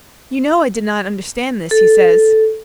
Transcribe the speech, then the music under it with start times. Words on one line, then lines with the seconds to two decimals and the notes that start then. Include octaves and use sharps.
"You know I did not understand this," he says.
1.71 A4